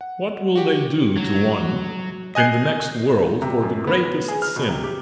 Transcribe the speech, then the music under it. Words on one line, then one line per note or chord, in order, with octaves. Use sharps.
What will they do to one in the next world for the greatest sin?
F#5
F#4 G4
F#3
D#5 G#5 F#6 G6 C7
C3
F#2
B3
B3
G#4
F6
B2
C3
G4